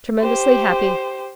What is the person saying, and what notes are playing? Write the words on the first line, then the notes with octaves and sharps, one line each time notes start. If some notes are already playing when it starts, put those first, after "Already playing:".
'Tremendously happy.
G4 C5